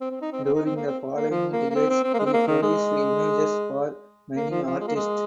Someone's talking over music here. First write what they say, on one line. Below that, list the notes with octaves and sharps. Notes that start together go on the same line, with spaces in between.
During the following decades he produced images for many artists.
C4
C4
D#4
C4
C4
D#4
C4
A#3
C4
A#3
F3
A#3
A#3
C4
C4
C4
A#3
G#3
C4
A#3
D#3
G#3
A#3
F3
F3
G#3
A#3
G#3